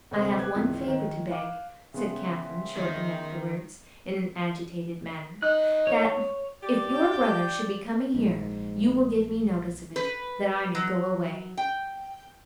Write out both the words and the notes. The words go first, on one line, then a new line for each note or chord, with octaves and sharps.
"I have one favour to beg," said Catherine, shortly afterwards, in an agitated manner, "that, if your brother should be coming here, you will give me notice of it, that I may go away."
D2 C3 C5 D#5 C6
B4 D6 F#6 G#6
G#1 C#2 E3
D#3
F5 D6
C#3 B3 E5 G5 C6
D#3
D#4 F#6
C#5
G4 D5
G5 G6
A#1 G#2
B4
F#3
G5